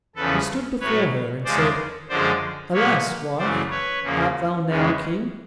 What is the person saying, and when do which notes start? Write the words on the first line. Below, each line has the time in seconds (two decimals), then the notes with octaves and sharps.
He stood before her, and said, "Alas, wife, art thou now king?"
0.16 E2 C#3 F3 A4 B4
0.80 A2 F#3 A3 B4 C#5
1.45 E2 C#3 F3 G#3 C5 D5
2.09 F#2 D3 F3 G#3 C5 D5
2.73 A#2 F3 A#3 B4 C#5
3.38 F#2 C#3 E3 A3 C5 D5
3.70 B4 C#5
4.03 E2 C#3 F3 A#3
4.67 E2 C#3 E3 G#3